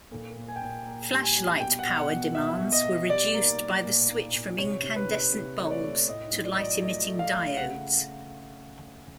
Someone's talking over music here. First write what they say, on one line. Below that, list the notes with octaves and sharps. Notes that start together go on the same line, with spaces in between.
Flashlight power demands were reduced by the switch from incandescent bulbs to light-emitting diodes.
A#2
A#2
G#5
G5
A#2 G#5
A#3
G3
G#5
G3
B2 G5
F#5
B2
F#5
B2
B2 E5
B2
D#5
B2
G3 D5
A#3
A#3
A#2
A#3
A#2
C3 C#5
C3
B4
C3
C3
A3
C#5
D5
A3
A2 D#5
A2
D5
D#5
F#3 D5
A3 D#5
A3
F5
A3
C#3 F#5